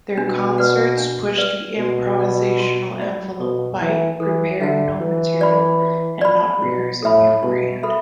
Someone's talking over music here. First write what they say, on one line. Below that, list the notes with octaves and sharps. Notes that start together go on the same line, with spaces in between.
Their concerts pushed the improvisational envelope by preparing no material and not rehearsing beforehand.
B2 D4
B4 D5 F#5
D4
B4 D5 F#5
B2 F#4
D5 F#5 B5
F#4
D5 F#5 B5
B2 A4
E3 E5 A5
E3 A4
D3 E5 A5
E3 E4
D5 B5
E4
D5 B5
B2 E4
A2 A4 E5 B5
B2 E4
A4 E5 B5